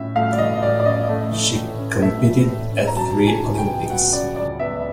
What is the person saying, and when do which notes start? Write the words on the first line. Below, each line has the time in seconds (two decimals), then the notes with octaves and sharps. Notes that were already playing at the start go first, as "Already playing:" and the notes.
She competed at three Olympics.
Already playing: A2 C#4 E5
0.15 A3 F5
0.33 D5
0.38 E3 D#5
0.62 A2 D5
0.80 D5
0.85 C#4 D#5
1.09 A3
1.32 E3
1.55 A2
1.79 C#4
2.02 A3 E5
2.26 E3
2.49 A2
2.73 C#4
2.87 A#5
2.96 F#3 A5
3.19 C#3
3.27 G#5
3.43 C#2
3.58 G5
3.66 B3
3.90 F#3 F#5
4.13 C#3 D5
4.36 C#2 D5
4.60 B3 E5